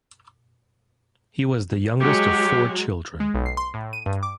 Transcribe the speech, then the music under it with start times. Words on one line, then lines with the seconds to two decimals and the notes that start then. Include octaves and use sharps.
He was the youngest of four children.
2.01 F#3 G#3 G4
3.20 G#3
3.34 B1
3.46 C7
3.57 C6
3.74 A2
3.93 D#7
4.06 G2
4.23 D6